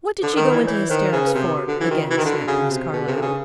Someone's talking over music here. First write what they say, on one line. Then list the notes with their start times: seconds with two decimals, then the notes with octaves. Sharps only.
"What did she go into hysterics for?" again snapped Miss Carlyle.
0.22 D3 A4
0.33 D#3 A#4
0.45 B4
0.52 E3 D5
0.67 E3 C#5
0.90 D#3 C5
1.12 C#3 C5
1.27 B4
1.34 C3 A#4
1.42 A4
1.57 F#4
1.68 D3
1.80 E3
1.91 D#3 F#4
2.02 F4
2.10 E3
2.17 D#3 F#4
2.25 D3
2.32 F#4
2.47 C#3 F#4
2.70 C3
2.92 B2 G#4
3.04 C3 B4
3.15 D3 A#4
3.22 C#3 G4